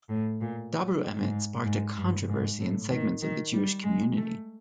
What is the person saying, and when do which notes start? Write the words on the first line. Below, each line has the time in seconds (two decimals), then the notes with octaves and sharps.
Dabru Emet sparked a controversy in segments of the Jewish community.
0.09 A2
0.41 A#2
1.19 G#2
1.65 G#2
1.97 G2
2.29 G#2
2.60 A2
2.90 D#3
3.22 D#3
3.53 G3
3.84 G#3
4.16 A3